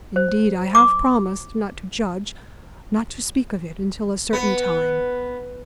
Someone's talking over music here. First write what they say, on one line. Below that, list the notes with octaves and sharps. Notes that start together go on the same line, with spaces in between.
Indeed, I have promised not to judge, not to speak of it, until a certain time.
C5
D6
B3